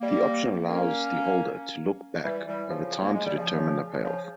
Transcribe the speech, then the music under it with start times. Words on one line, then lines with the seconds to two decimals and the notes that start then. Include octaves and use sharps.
The option allows the holder to "look back" over time to determine the payoff.
0.01 G3 A#3
0.68 A#3 C#4
2.24 E3 G3
2.47 E3 G3
2.69 C#3 F3
3.01 A#3
3.13 G#3
3.25 G3
3.37 C#3 F3
4.03 C#3 F3